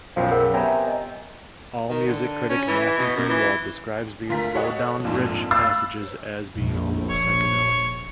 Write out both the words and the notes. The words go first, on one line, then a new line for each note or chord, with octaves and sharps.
Allmusic critic Matthew Greenwald describes these slowed down bridge passages as being almost psychedelic.
B1 F#2 F3 G5
C#3 A#4 F#5
C3 B3 C#5 E5 G5 G#5 A#5 B5
D#5
D#3
D3
C#4
E3
B2
F#2
E3
D2 F4 A#4 F5 B6
F#4 A4 C#5 D#5 F#5
A#1 F2 G#2
F5 B5 E6 F#6 A6 C7
A#1 F2
D#1 C#5